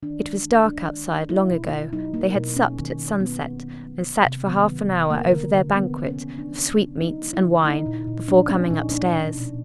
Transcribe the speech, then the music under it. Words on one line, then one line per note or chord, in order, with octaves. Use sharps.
It was dark outside long ago; they had supped at sunset, and sat for half an hour over their banquet of sweetmeats and wine before coming upstairs.
D#3 D4
G#3
D#3
G#3 D4
D#3
G#3
A#3 E4
B2
B2
F#3 D#4
A#3
B2
A#3 C#4
D#3
D#3
G3 B3
A#3
D#3
F#3
C3
C3
D#3 B3
F#3
C3
A#3
D3
D3
F3 B3
A#3
C#4
D3
A#3 D4
C#3
C#3
F#3 D#4
A#3
E4
C#3
A#3 D#4
A#2
A#2
F3 D4
A#3 C#4
A#2 D#4
A#3 D4
B2
B2